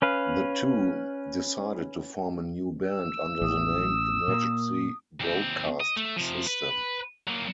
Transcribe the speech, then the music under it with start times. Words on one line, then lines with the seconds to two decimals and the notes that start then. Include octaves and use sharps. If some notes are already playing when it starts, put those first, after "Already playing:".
The two decided to form a new band under the name Emergency Broadcast System.
0.02 C#4 B4 F5
2.86 E6
3.42 A1 D#6
4.28 A#2 A#3
5.21 D#2 C4
5.80 D#5
5.96 A3
6.16 C3 F3
6.47 B4
7.27 F#3 A#3